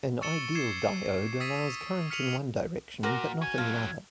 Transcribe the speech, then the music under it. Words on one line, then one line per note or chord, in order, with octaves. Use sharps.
An ideal diode allows current in one direction but not in the other.
C#6 E6 A6 C#7 E7 G7
D6 G#6 C7 C#7 E7
D#6 E6 A6 B6 C#7 D#7
F6 B6 C#7 D#7 F7 F#7
A#2 F#4 A#4 C#6 D6
C#4 G#5 G#6
F2 F#3 F5